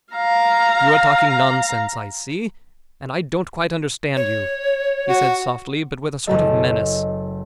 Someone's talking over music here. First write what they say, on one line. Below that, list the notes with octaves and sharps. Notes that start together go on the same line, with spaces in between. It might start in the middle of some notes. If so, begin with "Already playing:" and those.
"You are talking nonsense, I see, and I don't quite understand you," he said softly, but with a sort of menace.
F5 A#5
C#5
F#4
F#1 A3 A4 D#5